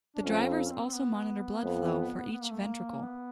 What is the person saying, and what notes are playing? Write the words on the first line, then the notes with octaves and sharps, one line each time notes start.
The drivers also monitor blood flow for each ventricle.
D4
F2 C#4
C4
C#4
C4
C4
B3
F2
B3
A#3
A3
A#3
B3